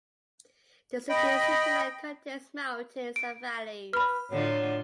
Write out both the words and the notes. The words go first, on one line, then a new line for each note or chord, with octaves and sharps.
The city's hinterland contains mountains and valleys.
D#5 G5 B5
D7
B4 B5 F6
A2 D3 F#3 F4